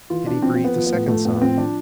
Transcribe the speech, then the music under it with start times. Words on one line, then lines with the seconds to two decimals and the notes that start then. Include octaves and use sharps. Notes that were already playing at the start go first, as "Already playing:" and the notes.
Kitty breathed a second sigh.
0.10 E3 F4
0.26 E3 D4
0.42 F3 C4
0.55 F3 C4
0.64 B3
0.76 F3
0.87 B3
0.92 A2
1.08 F3 A3
1.25 A2 B3
1.36 B3
1.42 F3 C4
1.58 F3 D4